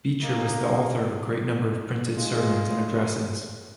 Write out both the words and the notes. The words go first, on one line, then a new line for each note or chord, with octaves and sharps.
Beecher was the author of a great number of printed sermons and addresses.
C#3 A#3 D#4 G#4
G#2 G#3 F4 G#4